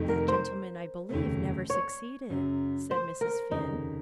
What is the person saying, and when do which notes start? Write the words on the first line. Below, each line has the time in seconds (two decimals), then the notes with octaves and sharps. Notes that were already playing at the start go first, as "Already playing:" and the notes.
"That gentleman I believe never succeeded," said Mrs. Finn.
Already playing: F1 F2 D#3 A3 D#4
0.09 A#4
0.28 C5
1.09 F1 D#2 C#3 A3
1.70 C#5
2.30 F#2 C#3 F#3
2.91 C5
3.21 A#4
3.51 F1 D#2 C#3 D#4